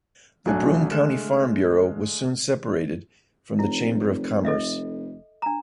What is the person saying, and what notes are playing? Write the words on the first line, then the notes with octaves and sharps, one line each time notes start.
The Broome County Farm Bureau was soon separated from the Chamber of Commerce.
B1 F#3 A3 D4 G#5 F#6
D3 G#3 A3 F6 F#6 E7
F1 E4
A4 D#5 E5
D4 A#5